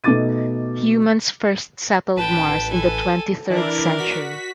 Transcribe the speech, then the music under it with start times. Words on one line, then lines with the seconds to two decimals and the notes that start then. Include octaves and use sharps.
Humans first settled Mars in the twenty-third century.
0.04 B2 A3 D#4 D6 A6 D#7
2.17 A1 B4 G5 A5
2.70 A4 G#5
3.50 E3 D4 E4 A#4 D5
3.98 F#4 B6